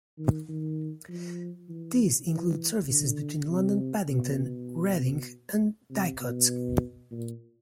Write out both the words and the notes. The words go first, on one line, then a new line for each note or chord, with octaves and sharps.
These include services between London Paddington, Reading and Didcot.
D#3
D#3
F3
E3
E3
D3
C3
B2
C3
B2
A#2